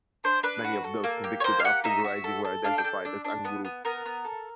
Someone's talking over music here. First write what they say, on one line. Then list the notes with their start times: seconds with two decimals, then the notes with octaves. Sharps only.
Many of those convicted after the rising were identified as "Anguru".
0.24 D4 C5
0.43 D4 B4
0.64 F#4
0.84 A4
1.04 A#3
1.24 G4
1.40 C#5
1.44 A#3 C5
1.59 F5
1.64 G4 F#5
1.84 D#4 E5
2.04 F#4
2.24 A4
2.45 A4
2.64 D4 F5
2.78 G5
2.85 A4
3.05 D4
3.25 D4
3.45 B3
3.65 B3
3.85 B3 A#4
4.06 B3
4.25 A4